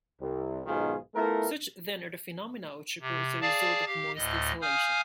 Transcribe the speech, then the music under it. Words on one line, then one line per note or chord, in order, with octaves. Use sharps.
Such then are the phenomena which occur as the result of moist exhalation.
C2
B1 G#2 B2 D#3 F4 G#4
A3 B3 E4 F4 A4 A#4
C3
G#4 D5 F5 A5
G4 F5
D2 A2 D#5
F5 G#5 D#6 F6 G6